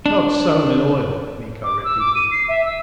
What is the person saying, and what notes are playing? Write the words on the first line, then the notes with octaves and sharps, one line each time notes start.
"Not so loyal," Miko repeated.
D4
D6
E6
D6
D#7
C7
E5
E6